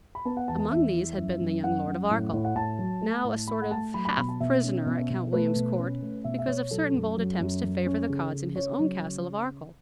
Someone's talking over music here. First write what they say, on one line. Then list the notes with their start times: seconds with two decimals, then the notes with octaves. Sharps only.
Among these had been the young Lord of Arkell, now a sort of half prisoner at Count William's court because of certain bold attempts to favor the Cods in his own castle of Arkell.
0.15 B5
0.25 B3 A5
0.37 F#5
0.48 E2 A5
0.59 A5
0.71 E2 E5
0.94 E3
1.18 F#2
1.41 F#2
1.64 F#2 F#5
1.87 F#2
2.10 A2
2.33 A2
2.45 F#5
2.55 A2 A5
2.79 F#3
3.01 A3
3.24 A2
3.48 A3 B5
3.62 F#5
3.71 A3 A5
3.94 F#3 B5
4.05 B5
4.17 B2 B5
4.29 A5
4.40 B2 E5
4.64 C#4
4.86 B2
5.10 B2
5.33 A3 B4
5.56 B2
5.79 C#4
6.02 A3
6.24 B2 E5
6.38 E5
6.48 B2 C#5
6.71 F#3 A4
6.94 F#2
7.17 F#3
7.40 F#2
7.63 F#2
7.86 C#4
8.09 C#3
8.32 C#3
8.56 C#3 C#5
8.79 F#3
9.02 C#3